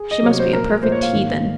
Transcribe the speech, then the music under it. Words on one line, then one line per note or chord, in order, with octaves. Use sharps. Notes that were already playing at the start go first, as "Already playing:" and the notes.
She must be a perfect heathen.
Already playing: G#4
D#5
C3 F#3 A#3 C#5
C5
A#2 F3 A#3 A#4
A#2 F3 A#3 C5
C#5
F5
G#2 D#3 A#3